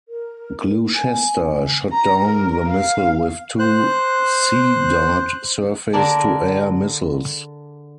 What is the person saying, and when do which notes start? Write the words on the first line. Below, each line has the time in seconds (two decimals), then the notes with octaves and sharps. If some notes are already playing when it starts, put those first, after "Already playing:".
"Gloucester" shot down the missile with two Sea Dart surface-to-air missiles.
0.09 A#4
0.95 G#5
1.92 A#5
2.26 A#4
2.69 F5
3.59 C5 F#6
5.93 D3 G#4 A#4 D5 A5